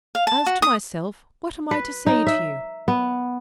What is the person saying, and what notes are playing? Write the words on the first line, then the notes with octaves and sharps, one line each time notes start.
As to myself, what am I to say to you?
F5
A5
F#4
D#6
B4
D#4
E5
B3